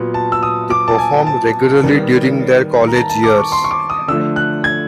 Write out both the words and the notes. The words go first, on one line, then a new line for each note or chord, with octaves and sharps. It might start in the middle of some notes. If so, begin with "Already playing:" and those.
They performed regularly during their college years.
Already playing: A#2 F#3 B3
A5
E6
D#6
D6
A5
G#5
A5
D#3 G3 B3
A#5
A5
A5
D6
C#6
C6
C#6
D6
D#6
D3 F3 A3 E6
F#6
G#6